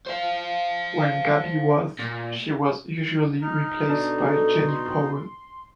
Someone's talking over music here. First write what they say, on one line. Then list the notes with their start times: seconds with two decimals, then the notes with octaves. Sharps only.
When Gaby was, she was usually replaced by Jenny Powell.
0.06 C5 F5
2.00 A#2
3.42 D#4 F6
3.89 B2 D4 A4
4.68 C6